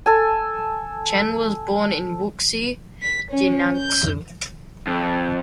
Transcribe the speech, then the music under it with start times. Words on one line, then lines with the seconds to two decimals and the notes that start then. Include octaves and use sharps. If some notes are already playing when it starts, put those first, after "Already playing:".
Chen was born in Wuxi, Jiangsu.
0.06 A4 G#5
3.02 B6
3.31 C#4
3.77 G6
4.87 F2